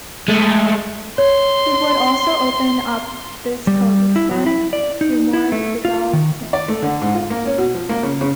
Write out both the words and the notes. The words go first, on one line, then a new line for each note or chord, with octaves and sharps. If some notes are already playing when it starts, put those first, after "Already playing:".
It would also open up this coastline to more development.
G#3 A3
C#5 C6
G3
E4
F#3
E4
D5
D#4
E4
A3
F4
D#3
D5
A3
D3
G#2
F4
A#3
C#4
B2
F3
A#3
C#3
C#3